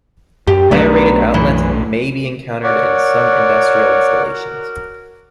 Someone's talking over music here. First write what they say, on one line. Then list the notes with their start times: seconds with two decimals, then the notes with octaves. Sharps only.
Higher rated outlets may be encountered in some industrial installations.
0.47 F#2 G4
0.71 B1 F#3 A3 B3 D4 D5
1.34 F#2 E3
2.64 F#4 A#4 C#5 D5 F#5